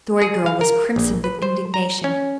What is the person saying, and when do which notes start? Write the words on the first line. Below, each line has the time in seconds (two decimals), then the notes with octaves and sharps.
The Story Girl was crimson with indignation.
0.22 G#4
0.46 F5
0.61 A#4
0.96 A#1
1.24 B4
1.42 C5
1.74 A#5
2.04 C#4